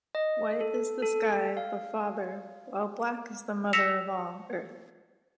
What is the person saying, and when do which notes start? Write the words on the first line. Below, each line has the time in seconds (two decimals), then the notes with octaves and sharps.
White is the sky, the Father, while black is the mother of all, Earth.
0.15 D#5
0.61 A4
1.02 A4
1.57 F5
3.73 E6 A#6 B6 C#7 E7 F7